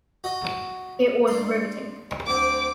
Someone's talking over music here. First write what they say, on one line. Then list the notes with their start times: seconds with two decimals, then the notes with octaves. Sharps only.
It was riveting.
0.24 F#4 D#5
1.27 D4 C6
2.27 D2 C4 D6